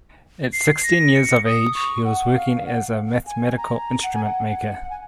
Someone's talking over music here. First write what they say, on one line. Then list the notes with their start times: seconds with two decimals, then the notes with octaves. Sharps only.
At sixteen years of age he was working as a mathematical instrument maker.
0.53 C7
0.84 A#6
1.14 C#7
1.45 D#6
1.75 C#6
2.05 F#5
2.36 F5
2.66 F#5
3.27 G#5
3.57 A#5
4.03 F#5
4.14 G#5
4.24 F#5
4.49 F#5
4.90 G#5